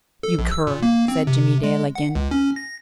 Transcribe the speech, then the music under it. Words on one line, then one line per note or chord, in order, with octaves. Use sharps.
"You cur!" said Jimmie Dale again.
A4
A#1
E6
A#2
A#3
C4
C3
G#3
F#5
C#2
C#4
A#6